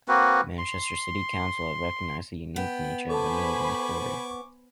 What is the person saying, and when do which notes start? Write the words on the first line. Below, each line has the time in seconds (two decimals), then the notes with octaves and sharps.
Manchester City Council have recognised the unique nature of the Northern Quarter.
0.08 A#3 C4 F#4 B4
0.58 C6
2.56 B3 G5
3.10 A4 C5 G#5 A5 B5 C#6 D6